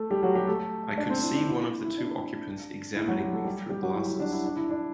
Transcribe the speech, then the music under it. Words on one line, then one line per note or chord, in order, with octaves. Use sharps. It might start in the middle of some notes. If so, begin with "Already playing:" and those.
I could see one of the two occupants examining me through glasses.
Already playing: A3 A4
G3 G4
F#3 F#4
G3 G4
A3 A4
D4 D5
C4 C5
E4
D4
E4
E4
D4
E4
F#3 F#4
G3 G4
A3 A4
G3 G4
G3 G4
F#3 F#4
E4
E4
D4
E4
D4
E4
D4